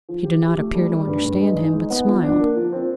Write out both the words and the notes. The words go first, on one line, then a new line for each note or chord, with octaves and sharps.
She did not appear to understand him, but smiled.
F3
G4
G4
A3
G3
G3
G2
G2
G#3
D#4
G#3
B3
F3
D4
A#3
F3
C4